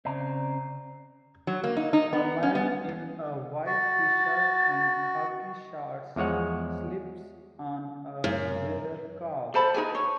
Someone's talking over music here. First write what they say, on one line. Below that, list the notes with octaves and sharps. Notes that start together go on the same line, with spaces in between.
A man in a white tshirt and khaki shorts sleeps on a leather couch.
C#3 C4 D5 A#5
F#3
A#3
D#4
D#4
B3
C#4
B3
F#4 A6
E2 F3 G#3 C#5 F#5
F#2
A4 C5 A5 B5
D#4 A#4 B4 G#5
C#5